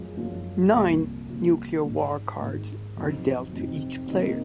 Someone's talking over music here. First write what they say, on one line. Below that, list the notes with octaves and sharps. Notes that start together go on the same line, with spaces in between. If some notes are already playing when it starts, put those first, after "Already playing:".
Nine Nuclear War cards are dealt to each player.
Already playing: F#2 F3 G#3
F#2 F3 G#3
C2 A#2 F3
C2 A#2 F3
G#2 D#3 G#3
G#2 D#3 G#3
F2 C3 F#3 C4 D#4
F2 C3 F#3 C4 D#4
C3 D#3 A#3 D#4